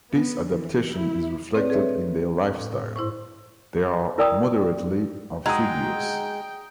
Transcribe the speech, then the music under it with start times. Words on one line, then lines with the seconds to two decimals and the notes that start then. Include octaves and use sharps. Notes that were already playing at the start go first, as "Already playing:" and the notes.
This adaptation is reflected in their life style; they are moderately amphibious.
0.11 B3
0.47 E3
0.94 E4
1.54 C4 G#4 B4 C#5 D5
1.70 G#4 A4 B4 C#5 E5
2.56 A2
2.96 G#2 E4 C5 C#6
4.18 E4 A#4 D5 G5 A#5 D#6
5.46 G#3 D#4 F#4 G5 A#5 D#6 E6